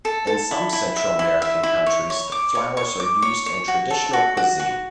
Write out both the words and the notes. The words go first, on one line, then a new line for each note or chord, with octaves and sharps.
In some Central American countries the flowers are used in traditional cuisine.
A4
A4
E4
E4
E5
E4
E5
E4
C#5
C#5
D6
C#5
C#5
D6
C#5
C#5
F#4
A4
F#4
F#4
F#4